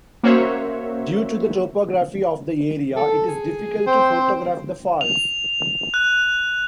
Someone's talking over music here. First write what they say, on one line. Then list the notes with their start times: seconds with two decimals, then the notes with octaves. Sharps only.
Due to the topography of the area, it is difficult to photograph the falls.
0.23 A#3 C#4 F#4 C5 C#5 E5
2.97 A4
3.28 G#4
3.87 C4 C5 G5
5.01 F7
5.94 F#6